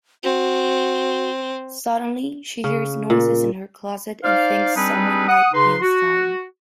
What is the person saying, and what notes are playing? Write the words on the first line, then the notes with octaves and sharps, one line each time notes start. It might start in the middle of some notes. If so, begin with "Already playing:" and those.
Suddenly, she hears noises in her closet and thinks someone might be inside.
C4 F#4
C#3
A#2
D#4 C5 D5 F5
G3 C4 D4 D#4 G#4 B4
F#5 D#6
C#3 D#4 B4 C6
F#4